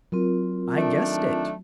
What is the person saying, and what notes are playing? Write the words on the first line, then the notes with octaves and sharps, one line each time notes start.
"I guessed it."
F#3 C4 F4 A#4
D#3 A3 D4